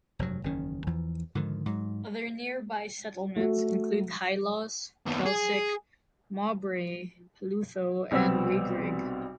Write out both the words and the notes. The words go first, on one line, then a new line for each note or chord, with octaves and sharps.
Other nearby settlements include Highlaws, Kelsick, Mawbray, Pelutho, and Wheyrigg.
F1 G2 F#3
F#1 E2 D#3 C#4
E2 E3 F3
G#2 D3 D#3 F3
G#2 F#3
A3 F#4
D#2 B3
G#4
B1 C3 G3 B3 C4 E6